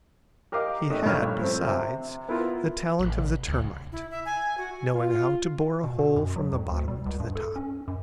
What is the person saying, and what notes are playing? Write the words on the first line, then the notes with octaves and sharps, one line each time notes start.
He had, besides, the talent of the termite--knowing how to bore a hole from the bottom to the top.
G4 A#4 D#5 F5 D6
G#1 A3 D4 D#5
A#1 G2 A3 D4 C#5 F6
F3 A3 C4
C3
B3 E4 F4 A#4
A1
B1 C3
D2
E4
E5
G#5
F#4
F4
B2
B2
F#2
F#3
F2
D2
G3
C#2
G2
A4
C#4
F#2